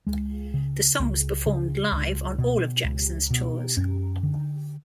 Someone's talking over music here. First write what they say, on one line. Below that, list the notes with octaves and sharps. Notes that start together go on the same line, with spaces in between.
The song was performed live on all of Jackson's tours.
C#2 G#3
C#3
C#2
C#3
C#2
B2
C#2
B2
F#2 C#4
D3